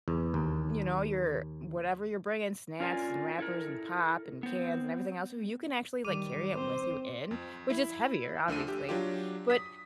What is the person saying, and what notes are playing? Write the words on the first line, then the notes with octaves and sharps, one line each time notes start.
you know, your whatever you're bringing- snacks and wrappers and pop and cans and everything else- you can actually, like, carry it with you in, which is heavier, obviously. But
E2
D#2
C#4 F4 A#4 D5 G#5
E4 A4 A#4
B3 C4
D#3 G3 D6 D#7
C4 C5
F2
E4
D2 D3 F3 D#7
G4
F#3 D4 F4 G4
D#6 B6